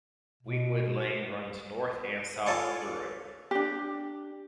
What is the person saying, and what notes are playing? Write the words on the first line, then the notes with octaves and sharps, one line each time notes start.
Weetwood Lane runs north and south through it.
B2
F4 A4 C#5 D5 G#5 C#6
D4 G4